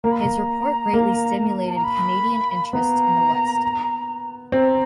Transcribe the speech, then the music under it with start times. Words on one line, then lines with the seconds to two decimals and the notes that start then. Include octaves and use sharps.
His report greatly stimulated Canadian interest in the West.
0.04 A#3 A#5
0.11 B5
0.19 A#5
0.94 A#3
1.67 A5
1.75 A#5
1.84 B5
2.73 B3 A#5
4.52 C4 A#5